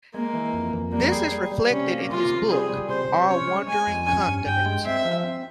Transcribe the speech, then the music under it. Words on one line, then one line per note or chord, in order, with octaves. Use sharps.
This is reflected in his book "Our Wandering Continents".
G#3 A#3
E3
F2
F2
G3 A#3
G#4
G3
G3
C3 C#4
A#3
C3 F4
C3
G3 G#4
G3
C3 C5
C3
C#4 C#5
G#3
G#3 G#5
F2
C#4 G#5
G2
G2 G5
G#3
C4 E5
F3
C4